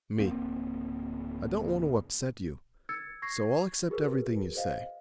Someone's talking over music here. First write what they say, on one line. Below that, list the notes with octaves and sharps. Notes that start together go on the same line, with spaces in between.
ME: I don't want to upset you, so I'll accept everything you say.
D1 A#3 C4
E6 G#6 A6 C#7
C#6 G#6 A#6 C7
F#4 G#4 A#4 B4
C5 D#5 F5